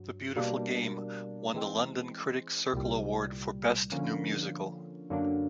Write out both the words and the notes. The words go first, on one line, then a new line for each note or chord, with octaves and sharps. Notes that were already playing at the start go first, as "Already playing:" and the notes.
"The Beautiful Game" won the London Critics Circle Award for best new musical.
Already playing: G2 F#3
B2 G3 A#3 D4
E3 G#3 C4
C2 A#2 G3
D3 F3 A#3 C#4
F#2 D3 F#3 A#3 D4